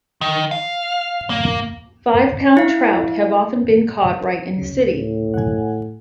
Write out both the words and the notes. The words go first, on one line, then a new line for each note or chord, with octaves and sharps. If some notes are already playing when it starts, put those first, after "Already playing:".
Five-pound trout have often been caught right in the city.
D#3
F5
A#3
E4 F5
D2 C#3
A2
F#5 G#5